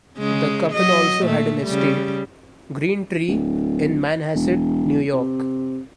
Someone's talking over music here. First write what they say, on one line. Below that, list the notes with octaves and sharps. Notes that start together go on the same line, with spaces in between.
The couple also had an estate, Greentree, in Manhasset, New York.
C#3 G#3
F#3 D#5
A#2 A3
C#3 G3
D1
E1
C3